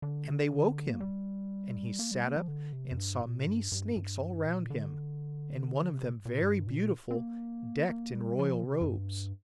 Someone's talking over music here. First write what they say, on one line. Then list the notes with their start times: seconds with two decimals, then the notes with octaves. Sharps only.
And they woke him, and he sat up and saw many snakes all round him, and one of them very beautiful, decked in royal robes.
0.02 D3
0.90 A#3
1.00 G3
1.99 A#3
2.11 G3
2.24 A#3
2.36 F3
2.48 D3
2.73 C3
2.92 F2
2.98 G2
3.22 A#2
3.46 G2
3.72 G2
3.96 G2
4.46 A#2
4.70 D3
5.93 C3
6.25 A#2
6.42 G2
6.67 A#2
7.11 C4
7.16 A#3
7.89 A#3
8.14 G3
8.39 F3
8.64 C3
8.81 F2
8.87 G2